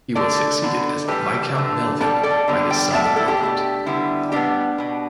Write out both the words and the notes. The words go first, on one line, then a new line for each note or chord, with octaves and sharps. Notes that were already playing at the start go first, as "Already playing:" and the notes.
He was succeeded as Viscount Melville by his son Robert.
D3 A3 A4 D5
D3 B3
A2 E3 G3 G4 B4
D3 A3
B2 G3 B3 A4 D5
A4 D5
D3 G3 B3
D5 G5
A2 G3 B3 E5 A5
A4 D5
E4 A4
D4 G4
B2 A3
D3 G3 B3 E4
A2 G3 B3 D4 G4
B2 B3